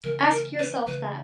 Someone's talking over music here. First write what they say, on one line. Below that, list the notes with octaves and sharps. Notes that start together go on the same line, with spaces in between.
Ask yourself that.
C#3 E3 A3 A#4
A#4
B4
C#3 E3 A3 B4